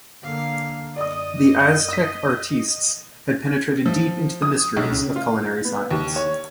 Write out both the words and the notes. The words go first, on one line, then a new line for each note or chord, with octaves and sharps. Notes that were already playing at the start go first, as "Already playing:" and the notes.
The Aztec artistes had penetrated deep into the mysteries of culinary science.
D3 A#3 F5
F#2 D5 D#5 D#6
D#6 B6
F3
D#6
B1
C#3
F4
B3
D#2
C#5